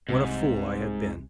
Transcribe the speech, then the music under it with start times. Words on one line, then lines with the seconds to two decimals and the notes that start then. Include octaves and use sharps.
What a fool I had been!
0.09 C2 G#2 C3